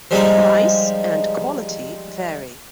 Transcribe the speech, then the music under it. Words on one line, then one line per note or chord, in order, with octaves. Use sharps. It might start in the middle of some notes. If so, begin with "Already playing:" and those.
Price and quality vary.
F3 G3 G#3 D#4